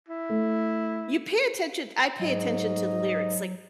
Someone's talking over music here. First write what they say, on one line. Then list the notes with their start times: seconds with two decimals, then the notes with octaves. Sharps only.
you pay attention, I pay attention to lyrics, like,
0.08 E4
0.29 A3
2.20 G#2 F#3 D#5